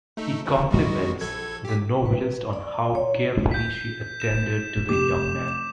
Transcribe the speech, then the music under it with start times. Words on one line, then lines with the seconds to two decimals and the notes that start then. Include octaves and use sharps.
He compliments the novelist on how carefully she attended to the young man.
0.17 A3 D#4 A4
0.46 D#2 F3
0.71 G3 G#3 F#4
1.21 A#1 A4 G#6
1.65 G4 B6
2.06 B4
2.53 D5
2.95 C#5
3.51 G6 B6
4.20 E7
4.89 F1 G4 D6 E7